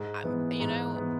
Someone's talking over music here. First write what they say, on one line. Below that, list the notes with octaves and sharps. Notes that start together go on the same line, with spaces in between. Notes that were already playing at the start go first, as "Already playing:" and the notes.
I'm you know
Already playing: G#2
E3 B3
G#2
E3 B3